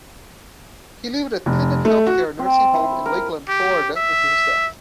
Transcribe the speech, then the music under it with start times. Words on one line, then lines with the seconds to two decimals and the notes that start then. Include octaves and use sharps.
He lived at the "Tandem Healthcare" nursing home in Lakeland, Florida until his death.
1.46 F1
1.85 A3
2.07 F#4
2.39 C4
2.74 E4
3.06 A#4
3.49 G4
3.96 E5